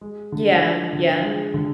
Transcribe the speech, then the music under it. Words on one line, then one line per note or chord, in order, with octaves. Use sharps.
Yeah, yeah.
G#3
D3
F3
D3
G#3
D3